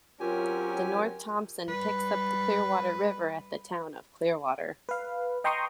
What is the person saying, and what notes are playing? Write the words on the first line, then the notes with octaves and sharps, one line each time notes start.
The North Thompson picks up the Clearwater River at the town of Clearwater.
F#3 C4 C#4 F4 G4 A#4 G#5
G3 B4
B4 F5
D#5 G5 A#5 C6 C#6 D#6